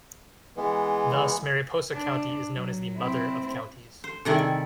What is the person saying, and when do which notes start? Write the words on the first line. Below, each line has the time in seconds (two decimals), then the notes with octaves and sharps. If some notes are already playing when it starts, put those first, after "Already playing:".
Thus, Mariposa County is known as the "Mother of Counties".
0.57 E3 G#3 B3
1.93 D4
2.53 F#3
2.97 C4 E4
4.04 C5
4.25 C3 D#3 G3 E4 G#4 A4